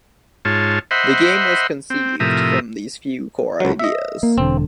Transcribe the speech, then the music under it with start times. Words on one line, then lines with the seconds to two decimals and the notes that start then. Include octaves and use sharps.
The game was conceived from these few core ideas.
0.45 G#2 F4 C#5 A5
0.91 C5 D#5 E5 F#5 B5 C6
1.90 C4
2.20 A2 C3 F3 A#4 E5 D#6
3.60 C#2 F#3
3.79 D#5 E5
4.23 A#3
4.38 E1 D3 C4